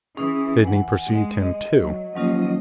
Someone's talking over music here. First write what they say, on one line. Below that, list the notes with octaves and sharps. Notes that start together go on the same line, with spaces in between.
Sydney perceived him too.
E3 C#4 G#4 D#6
F#5 G#5
G#3
D#5
F#3
D#2 F3 F#3 C#4 F4 D#5